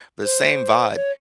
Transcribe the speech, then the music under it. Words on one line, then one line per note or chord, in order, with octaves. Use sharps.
the same vibe."
C5
C#5